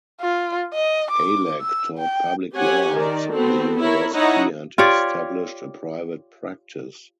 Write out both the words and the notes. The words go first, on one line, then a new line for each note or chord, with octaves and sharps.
Alak taught Public Law at the university and established a private practice.
F4
D#5
D6
E6
G5
C4 G4 C#5 F#5 G#5
D#3 A#4 D5
B3 C4 F#4 A4
E4 A#4 C#5 B5
D#4 E4 C#5 D#5 F#5 A#5
F4 G4 C#5 D5